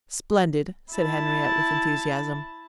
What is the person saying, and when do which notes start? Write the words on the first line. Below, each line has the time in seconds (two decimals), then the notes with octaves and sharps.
"Splendid!" said Henriette, with enthusiasm.
0.93 E4 A5